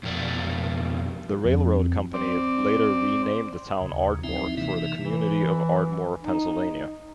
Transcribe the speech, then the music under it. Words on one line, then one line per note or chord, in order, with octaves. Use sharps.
The railroad company later renamed the town Ardmore, for the community of Ardmore, Pennsylvania.
F2 B2 A#4 D5
F2
C4 D5
D#2 C#3
F3 C4 D#4 E4 E5
C3 E3 A#3 D#4 E5
E3
D#4